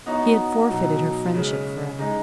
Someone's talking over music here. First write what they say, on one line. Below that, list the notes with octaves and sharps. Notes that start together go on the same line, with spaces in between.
He had forfeited her friendship for ever.
B3 D#4 F#4 C#5
B2 F#3 D#4
C#3 G#3 C#4
G#3 D#4 G#4